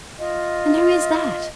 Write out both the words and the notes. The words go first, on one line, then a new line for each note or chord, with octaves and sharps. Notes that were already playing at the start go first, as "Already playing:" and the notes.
And who is that?
F4 D#5